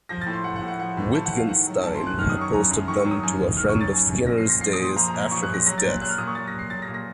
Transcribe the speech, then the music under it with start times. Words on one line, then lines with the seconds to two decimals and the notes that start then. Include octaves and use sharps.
Wittgenstein had posted them to a friend of Skinner's days after his death.
0.09 F3 A#6
0.21 A6
0.26 A2
0.33 C6
0.44 F3 F#5
0.56 F#5
0.62 A2
0.68 F#5
0.79 F3 F#5
0.97 A2
1.14 F3 A5
1.25 F#5
1.32 A2 F5
1.49 D#3 F#5
1.66 F#3
1.83 F#2 A5
1.95 C6
2.00 F#2
2.07 F#6
2.18 D#3 F6
2.30 D#6
2.36 F#3
2.41 C#6
2.53 F#2 A#5
2.71 F#2
2.88 D#3 C#6
2.99 C#6
3.05 F#3
3.11 D#6
3.23 F#2
3.39 F#2
3.57 D#3 F6
3.69 C#6
3.75 F#3
3.81 A6
3.93 F#2
4.10 F#2
4.27 F3 A#6
4.38 C7
4.45 A#2 A#6
4.61 F3 C7
4.73 D#6
4.79 A#2
4.84 C6
4.96 F3 A#5
5.08 A#5
5.14 A#2
5.20 A#5
5.31 F3 C#6
5.43 F#6
5.49 A#2 A#6
5.66 F#3 A#6
5.78 A6
5.84 A#2
5.90 F#6
6.01 F#3 F#6
6.09 F6
6.18 A#2 D#6
6.27 C#6
6.35 F#3 A6
6.47 A#6
6.53 A#2
6.59 C7
6.70 F#3 A6
6.82 A#6
6.88 A#2
6.94 A#6